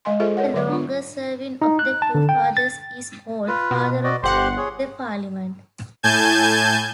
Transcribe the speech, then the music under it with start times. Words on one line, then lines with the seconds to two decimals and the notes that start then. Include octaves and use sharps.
The longer serving of the two Fathers is called "Father of the Parliament".
0.05 G#3 D#5 G#5 C6
0.20 F4 G#4 A4 C5 E5
0.37 A#4 C#5 F#5
0.54 D3 F#3 D5 E5 D6
0.69 D4 F4
1.62 D#4
1.79 F#6
2.02 A5
2.15 D3
2.29 G5
2.57 A6
3.48 F4 B4
3.71 B2
4.04 F#4 D5 D#5
4.23 G1 G4 C5 F#5 C6
4.57 G#4 C#5
6.03 A2 G#5 A5 G6 G#6